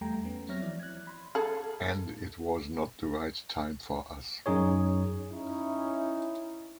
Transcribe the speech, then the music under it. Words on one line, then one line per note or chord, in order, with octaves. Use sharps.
And it was not the right time... for us.
E2 G3 A3 G5 A#5
A3 B3 C#4
F#3 C4 C#5 E5 F6 A#6
E3 F3 E4 D5
F#6 G#6
B5 C6
G#4 A4
F#2 D#4 G#4 C#5
C#4 D#4 E4